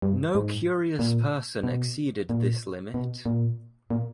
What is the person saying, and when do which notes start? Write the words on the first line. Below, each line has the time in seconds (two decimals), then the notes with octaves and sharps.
No curious person exceeded this limit.
0.02 G2
0.35 G#2
0.99 A#2
1.64 B2
2.29 A#2
2.94 B2
3.26 A#2
3.90 A#2